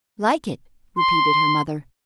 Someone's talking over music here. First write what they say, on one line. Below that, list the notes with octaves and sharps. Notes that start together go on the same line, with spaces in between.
"Like it?" repeated her mother.
C6